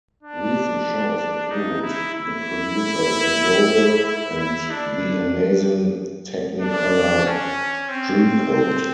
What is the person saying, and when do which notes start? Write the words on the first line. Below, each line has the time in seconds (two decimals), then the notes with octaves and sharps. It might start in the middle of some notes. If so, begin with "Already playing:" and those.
Recent shows include The Producers and Joseph and the Amazing Technicolor Dreamcoat.
0.23 D4
1.51 D#4
1.82 E4
2.14 E4
4.06 E4
4.38 E4
4.71 D4
6.61 D4
7.25 C#4
7.89 C4
8.53 C4